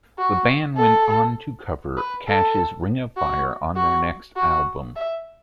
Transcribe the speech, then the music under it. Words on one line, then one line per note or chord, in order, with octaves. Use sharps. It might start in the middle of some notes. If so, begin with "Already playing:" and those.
The band went on to cover Cash's "Ring of Fire" on their next album.
F#4
A4
B4
A4
F#4
F#4
F#4
E5